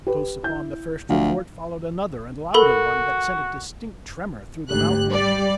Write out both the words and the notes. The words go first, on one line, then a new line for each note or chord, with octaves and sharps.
Close upon the first report followed another and louder one, that sent a distinct tremor through the mountain.
G4 B4
E4 G6
D2 F3 F#3 F5
F#4 A4 A#4 B5
G#1 D2 G4 F#6
G3 D5